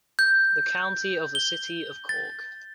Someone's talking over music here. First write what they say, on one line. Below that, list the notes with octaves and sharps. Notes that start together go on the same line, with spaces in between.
The County of the City of Cork.
G6
G7
A6